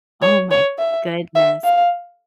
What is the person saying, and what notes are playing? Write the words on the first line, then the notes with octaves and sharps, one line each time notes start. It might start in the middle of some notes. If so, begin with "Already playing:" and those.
Oh my goodness.
C#5
C#5
E5
E5
F5